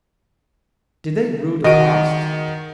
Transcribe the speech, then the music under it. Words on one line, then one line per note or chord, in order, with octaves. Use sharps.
Did they rue the past?
D#3 F#4 G#4 D#5 D7